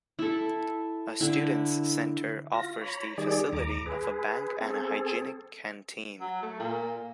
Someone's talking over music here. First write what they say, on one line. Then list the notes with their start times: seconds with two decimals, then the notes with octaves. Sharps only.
A Students' Centre offers the facility of a bank and a hygienic canteen.
0.19 E4 A4
1.21 D3 E4
2.53 F4 A#6
2.81 C#5 A#5 B5
3.18 D#3 G3 G#4 D5
3.53 D#2 A#5 D6
3.86 G#4 B4
4.60 C4 G#4 A4
6.21 F#3
6.42 A3
6.60 A#2